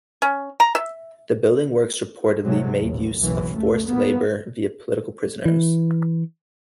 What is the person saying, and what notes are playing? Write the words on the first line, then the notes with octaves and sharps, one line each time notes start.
The building works reportedly made use of forced labour via political prisoners.
C#4
A#5
E5
C3 F#3 G#3 A3
A1 D#2
F#1 B1 F#2 E3
C#2 A3
A#3 B3
E3